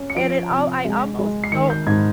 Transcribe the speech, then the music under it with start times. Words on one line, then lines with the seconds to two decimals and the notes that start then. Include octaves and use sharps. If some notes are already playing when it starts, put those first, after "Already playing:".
and it all I almost don't.
Already playing: C#4
0.10 C#7
0.16 F3 D7
0.51 C3
0.85 G#3
1.19 G#3
1.44 C7
1.52 D#3 C#7
1.70 G6
1.87 G#2 G#6